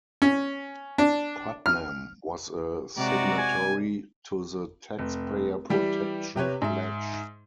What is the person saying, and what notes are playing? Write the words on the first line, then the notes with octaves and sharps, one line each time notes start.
Putnam was a signatory to the Taxpayer Protection Pledge.
C#4
D4
F6
C3 G#3 F#4 D5 A#5
G#5
F1
E3 G3 G4
C3 G4 B4 C#5
G#2 E5